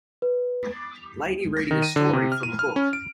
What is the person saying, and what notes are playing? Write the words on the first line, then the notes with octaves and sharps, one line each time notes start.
Lady reading a story from a book.
B4
A#6
D#3
D#7
D3
C3
F6
D#7
F6
C#4
D7